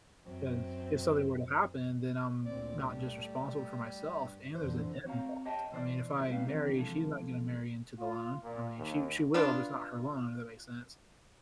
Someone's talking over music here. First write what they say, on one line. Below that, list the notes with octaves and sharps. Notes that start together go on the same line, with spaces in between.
'Cause if something were to happen, then I'm not just responsible for myself and there's a debt involved. I mean, if I marry, she's not gonna marry into the loan, I mean, she she will, but it's not her loan, if that makes sense.
F#2 C4
D2 A#2 C4 D5
G3 A3
G2
F2 D3 E3 C5
C4 F#4 C5 C#5 F5 A#5
G4 C5 C#5 D#5 G5 A5
B2 E3 C5 D5
G3 G#3 C4 D#4 B4 F5
D#3 E3 C4 D4 G4
C3 E3 F3 G#3 A4
F4
A#2
D#2
B3 D4 F4